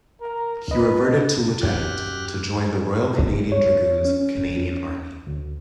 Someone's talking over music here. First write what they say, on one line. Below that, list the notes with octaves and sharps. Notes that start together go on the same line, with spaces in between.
He reverted to lieutenant to join The Royal Canadian Dragoons, Canadian Army.
A#4
B4 D#5
F#2 G4 F6 F#6
C#5
C#4
D2